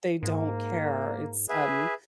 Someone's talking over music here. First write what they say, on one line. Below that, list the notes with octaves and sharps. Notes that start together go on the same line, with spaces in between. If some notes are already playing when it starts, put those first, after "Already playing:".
they don't care. It's, um
G#2 A#3
G#4 B4 E5